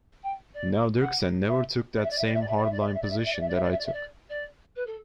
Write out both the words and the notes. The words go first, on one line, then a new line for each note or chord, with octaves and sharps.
Now, Dirksen never took that same hard-line position that I took.
G5
D5
F#5
E5
D5
E5
D5
E5
D5
E5
D5
E5
D5
E5
D5
E5
D5
E5
D5
E5
D5
E5
D5
E5
D5
E5
D5
E5
D5
E5
D5
D5
B4
A4